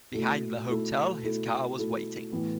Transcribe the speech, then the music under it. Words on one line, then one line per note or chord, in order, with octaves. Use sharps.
Behind the hotel his car was waiting.
B2 A3 E4 A4
B2 A3 E4 A4
B2 A3 E4 A4
B2 A3 E4 A4
A2 E3 B3 E4